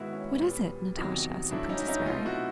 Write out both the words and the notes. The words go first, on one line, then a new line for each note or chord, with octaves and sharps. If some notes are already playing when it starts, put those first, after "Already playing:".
"What is it, Natasha?" said Princess Mary.
Already playing: G#2 D#3 G#3 B3 E4 F#4
C#4
A#2 G3 B3
E2 C3 D#3 F#3
A2 F#3 A3 D4 E4
C#4 D#4
E4
C#4 D#4
C2 B2 F#3 A3 D#4 F4
E4 F#4